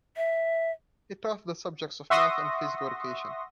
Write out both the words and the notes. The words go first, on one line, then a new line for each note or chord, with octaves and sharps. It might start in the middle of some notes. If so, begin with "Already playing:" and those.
He taught the subjects of math and physical education.
E5
E5 F#5 C6 C#6 D#6 A#6